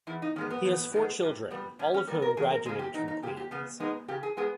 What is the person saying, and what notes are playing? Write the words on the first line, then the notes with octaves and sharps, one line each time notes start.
He has four children, all of whom graduated from Queen's.
E2 E4
D#4
D#3 G#3 B3 C#4
B3
E2
D#3 G#3 B3
G2
G3 B3
G2 C#4
C#4
G3 B3 A#4
A#4
E2 G#4
A#4
C#3 G#3 G#4
G4
E2 D#4
D#4
C#3 G#3 G4
G4
C#3 B3
G#3 B3 D#4
C#3 G4
G#4
G#3 B3 G#4